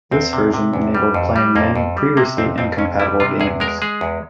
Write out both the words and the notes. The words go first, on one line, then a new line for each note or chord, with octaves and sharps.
This version enabled playing many previously incompatible games.
E2 C4
C3
C3
E2
G3
F2
G3
F2 A#3
F2
G3
C3 A#3
F2 C4
F2 C4
F2 C#4
G3 E4
C3 F4
E2 G#4
G#3 A#4
G#3 G#4
E2